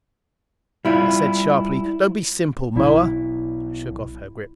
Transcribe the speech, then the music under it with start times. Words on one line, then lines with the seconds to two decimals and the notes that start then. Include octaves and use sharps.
I said sharply, "Don't be simple, Moa!" I shook off her grip.
0.85 G3 E4 F4
2.76 B1 E4 D5